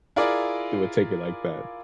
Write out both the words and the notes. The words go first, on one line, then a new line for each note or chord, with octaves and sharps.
they would take it like that.
E4 F4 G#4 A#4 D5